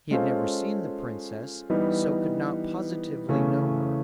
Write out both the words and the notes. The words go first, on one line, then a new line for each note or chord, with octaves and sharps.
He had never seen the princess, so could not positively know her.
G#3 C#4 F4 A4 C5
E3 G3 B3 D#4
C#3 E3 A3 C#4